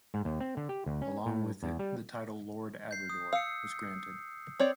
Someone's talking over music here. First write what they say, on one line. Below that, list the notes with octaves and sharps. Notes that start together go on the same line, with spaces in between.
Along with it, the title Lord Aberdour was granted.
G#2
D#2
C4
D3
G4
D2
C#4
A2
E2
G3
G6 C7
D#6
F5 E6 C#7
C4 C#5 D5